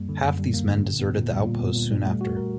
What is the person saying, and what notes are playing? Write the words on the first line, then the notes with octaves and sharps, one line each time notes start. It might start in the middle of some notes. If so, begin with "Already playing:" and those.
Half these men deserted the outpost soon after.
Already playing: F#2 G3 A#3
D3
F#2
G3
A#3
D3
A#2
B3
A#2
G3
A#2
B3
A#2
G3
A3
F#4
A#4